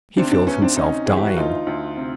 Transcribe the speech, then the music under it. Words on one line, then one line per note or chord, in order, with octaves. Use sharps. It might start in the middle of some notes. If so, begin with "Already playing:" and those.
He feels himself dying.
D2 C4 D4
C4 D4
D2 B3 C#4
C4 D4
C3 C#4 D#4
E3 G#4
G4
F#4
D2 D#4 F4
D2
C3